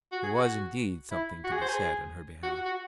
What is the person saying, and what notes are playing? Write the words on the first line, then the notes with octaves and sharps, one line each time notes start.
There was indeed something to be said on her behalf.
F#4
G#4
F#4
E4
F#4
G#4
C5
G#4
F#4
F#4
F#4